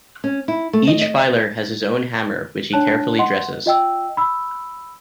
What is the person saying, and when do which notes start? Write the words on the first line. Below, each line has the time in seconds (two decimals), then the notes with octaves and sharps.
Each filer has his own hammer which he carefully dresses.
0.24 C#4
0.48 E4
0.73 A3
0.87 D#5
1.01 D#5
2.73 D4 C#5 A5 F#6
3.19 D#5 F#5 C6
3.66 F4 D#5 G5 E6
4.17 B5 E6